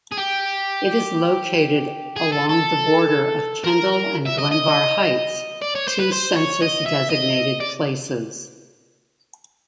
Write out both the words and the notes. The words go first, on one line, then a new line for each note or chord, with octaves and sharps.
It is located along the border of Kendall and Glenvar Heights, two census-designated places.
G#4
G4
G#4
A4
A4
A#4
E5
D#5
D#5
D5
C#5
C5
B4
C5
C#5
D#5
E5
D#5
D5